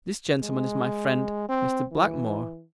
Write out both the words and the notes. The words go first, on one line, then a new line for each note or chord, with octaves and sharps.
This gentleman is my friend, Mr. Blackmore.
G#3
C4
E3